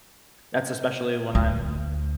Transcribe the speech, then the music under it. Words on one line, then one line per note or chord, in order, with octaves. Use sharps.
That's especially when I'm
D2